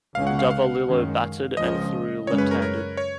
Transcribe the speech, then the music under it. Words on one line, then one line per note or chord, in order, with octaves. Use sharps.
Davalillo batted and threw left-handed.
C#2 C#3 G#3 C#4 F5
F#5
F5
F5
F#2 D#3 G#3 C#4
C#2 C#3 F3 G#3 D#5
F#2 C#3 G#3 C#4 C#5
B4
A#4
A#4
C#5